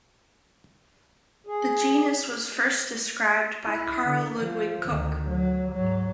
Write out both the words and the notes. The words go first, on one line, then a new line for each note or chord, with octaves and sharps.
The Genus was first described by Carl Ludwig Koch.
G#4
E4
D3
F3
D2 D#3
F#3
G#2 F#3